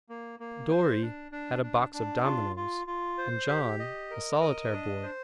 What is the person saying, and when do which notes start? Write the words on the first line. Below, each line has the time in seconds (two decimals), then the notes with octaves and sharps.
Dorry had a box of dominoes, and John a solitaire board.
0.09 A#3
0.40 A#3
0.70 C5
1.02 D4
1.32 D4
1.63 D4
1.93 D4
2.24 F4
2.56 F4
2.87 F4
3.18 C5
3.49 G4
3.79 D#5
4.10 A#4
4.41 D#5
4.72 D4
5.03 C5